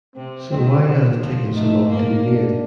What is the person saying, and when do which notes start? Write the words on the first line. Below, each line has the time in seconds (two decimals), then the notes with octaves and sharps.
So why has it taken so long to be made?
0.15 C3 C4
0.51 D#3 C4
0.85 D#3
1.19 F3
1.55 A3 D#4
1.89 A#3 D#4
2.24 D4